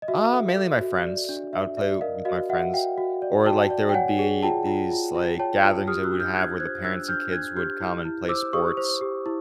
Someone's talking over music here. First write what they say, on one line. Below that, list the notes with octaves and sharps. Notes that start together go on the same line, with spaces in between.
Ah, mainly my friends. I would play with my friends, or, like, there would be these, like, gatherings that we'd have where the parents and kids would come and play sports,
D#5
F#4 E5
A4
A4
F#4
D5
D4
D4 E5
D5 E5
A#4 D#5 F5
F#4 D#5 F5
F#4 E5 F#5
F#4 F5 G5
F#4
D5
F#4 G5 A5
D5
G5
C#5 F#5 G#5
G#4
F4 G5 A5
F4
F4
F4
C#5 G5 A5
F4
G4 D#6 F6
E6 F#6
D4
F6 G6
D4 F#6 G#6
C5 F#6 G#6
D4 E6 F#6
D4 F6 G6
D4 F#6 G#6
G4 F6 G6
E4
E4
C5 D6 E6
G4 C#6 D#6
C5
G4
E4